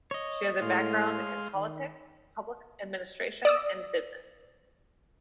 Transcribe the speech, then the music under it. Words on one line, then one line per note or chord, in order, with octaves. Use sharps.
She has a background in politics, public administration and business.
C#5 D#5
A2 G#3 F5 C6
D#3
D5 D#6 E6